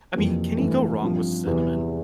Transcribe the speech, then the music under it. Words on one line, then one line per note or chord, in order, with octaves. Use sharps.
I mean, can you go wrong with cinnamon?
F2 C3 E3 A#3
G2 E3 A3
G2 F3 C4 F4
E2 C3 E3